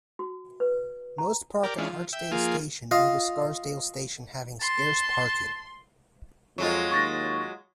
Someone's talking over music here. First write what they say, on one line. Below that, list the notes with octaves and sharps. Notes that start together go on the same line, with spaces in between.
Most park at Hartsdale station, due to Scarsdale station having scarce parking.
F#4
B4
A#5
G4 A#4 D5
E3 G#3 C#4 D4 F4
F3
E5 G5
F3 A#3 F4 G#4
F4 D#5 F5
A5 C6
F2 F#3 G#3 F4
D#2 C#6 A6 A#6